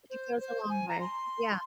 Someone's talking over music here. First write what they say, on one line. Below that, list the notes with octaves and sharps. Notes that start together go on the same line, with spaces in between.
it goes a long way, yeah.
C5
C5
G#5
A#5
C6